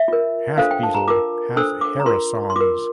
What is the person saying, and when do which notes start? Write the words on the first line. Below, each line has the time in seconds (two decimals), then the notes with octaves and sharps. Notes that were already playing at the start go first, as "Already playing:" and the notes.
Half Beatle, half Harisongs.
Already playing: E5
0.08 F4 A#4
0.58 D4 F4 A4 C5 F5
0.71 G5
0.83 A5
0.95 A#5
1.08 F4 A#4 D6
1.57 D4 A4 C5 E6
1.81 D6
2.00 A#5
2.06 F4 A#4 C6
2.50 C6
2.56 F4 A#4 D6